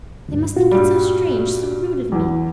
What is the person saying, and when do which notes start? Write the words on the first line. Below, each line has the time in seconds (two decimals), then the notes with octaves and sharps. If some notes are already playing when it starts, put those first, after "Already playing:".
They must think it so strange, so rude of me!
0.28 D2 G2
0.57 A#2 F4 F#4
0.71 G2 G3
2.12 E2 E3